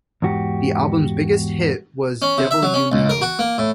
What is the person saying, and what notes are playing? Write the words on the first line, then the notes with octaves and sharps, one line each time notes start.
The album's biggest hit was 'Devil You Know.
E2 G#2 F#4 G4
C#4
C3
E5
F#3
C#4
C#2
A#4
F#4
A#3
A2